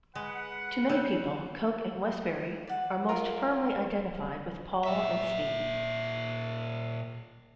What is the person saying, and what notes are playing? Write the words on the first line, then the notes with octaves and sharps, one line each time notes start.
To many people, Coke and Westbury are most firmly identified with Paul and Steve.
G#3 B4 F#5
G3 D4 C#5 E6
D5 F#5
F4 A#4 A#5
A#2 E5